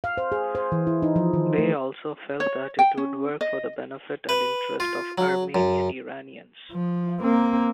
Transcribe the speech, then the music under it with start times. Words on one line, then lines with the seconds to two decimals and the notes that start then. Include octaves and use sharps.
They also felt that it would work for the benefit and interest of Armenian-Iranians.
0.04 F5
0.17 C5
0.32 G#4
0.55 C5
0.72 E3
0.87 E4
1.02 D#4
1.16 F3
1.33 D#3
1.58 A3
2.40 C#5
2.79 G5
2.97 C#4
3.41 D#5
4.29 B4
4.80 F4
5.18 F#3
5.55 F#2
6.71 F3
7.20 A#3 C4